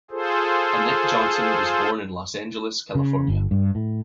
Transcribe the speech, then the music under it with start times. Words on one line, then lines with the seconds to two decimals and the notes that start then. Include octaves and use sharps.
Annette Johnson was born in Los Angeles, California.
0.11 F4 G#4 A4 C5
2.95 C#3
3.28 G1
3.51 G2
3.75 A2